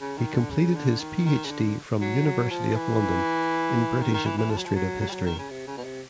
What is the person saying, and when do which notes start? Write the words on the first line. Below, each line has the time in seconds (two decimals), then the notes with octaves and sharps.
He completed his PhD from University of London in British Administrative History.
0.01 C#3
0.18 D#3
0.34 D3
0.50 C#3
0.76 D3
1.00 D#3
1.26 D#3
1.45 C#3
1.51 D3
2.01 F#3
2.26 F#3
2.50 F3
2.76 E3
4.01 D#3
4.14 D#3
4.26 E3
4.38 E3
4.50 F3
4.58 F#3
4.65 F3
4.75 F#3
5.01 F#3
5.09 G3
5.13 F#3
5.26 D#3
5.38 C#3
5.50 C3
5.67 C#3
5.77 B2
5.84 C3